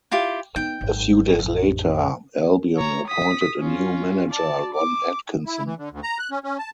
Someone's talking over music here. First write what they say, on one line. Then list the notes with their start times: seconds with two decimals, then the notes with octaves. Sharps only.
A few days later, Albion appointed a new manager, Ron Atkinson.
0.11 E4 F4 G4
0.56 B3 D#4 G5
0.81 G#1 F#2
1.39 A1 F2
2.78 C#5 A#5
3.08 D#6 B6
3.59 C#4 F4
4.31 D5 A5
4.75 D6
5.46 E4
5.66 E3
5.78 D3
5.92 D2
6.03 A#5
6.19 F#6
6.31 C#4
6.44 C#4
6.58 A5